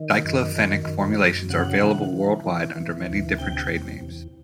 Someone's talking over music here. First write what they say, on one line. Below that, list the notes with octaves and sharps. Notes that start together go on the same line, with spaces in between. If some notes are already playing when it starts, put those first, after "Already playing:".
Diclofenac formulations are available worldwide under many different trade names.
Already playing: D#3
F#2
D#3
F#2
F#2
C#3 F#5
E3
E3
E3
E3
D2
C3 G5
E2
E2